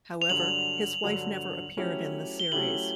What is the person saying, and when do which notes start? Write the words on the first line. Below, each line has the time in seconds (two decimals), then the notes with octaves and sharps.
However, his wife never appeared in the series.
0.22 F7
0.30 G2 D3 F#3 F#7
1.04 G2 D3 F#3
1.77 F#3 A3 C#4 E4 G4
2.40 G7
2.52 F#3 A3 C#4 E4 G4 F#7